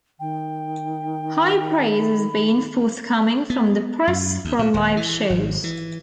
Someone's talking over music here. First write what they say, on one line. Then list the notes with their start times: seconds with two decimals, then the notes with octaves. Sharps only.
High praise has been forthcoming from the press for live shows.
0.20 D#3 G5
1.91 B5
3.50 B3
4.07 F#2
4.45 D2
4.59 A#2
4.74 D#1
4.97 E3
5.30 G#1
5.64 E3